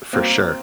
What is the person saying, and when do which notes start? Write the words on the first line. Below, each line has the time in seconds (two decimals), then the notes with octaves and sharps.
for sure.
0.13 A#3 C4